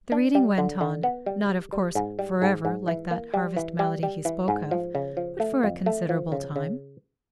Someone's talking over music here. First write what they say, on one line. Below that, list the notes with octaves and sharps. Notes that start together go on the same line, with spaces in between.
The reading went on, not of course "for ever," like that harvest melody he spoke of, but for a considerable time.
D4
G3
D3
D3
B3
G3
G3
G3
G#2
G3
G#2
G#2
E3
A#3
G3
E3
G3
G3
E3
G#2
F3
C#3
F3
A3
F2
A3
F3
C#3
C#3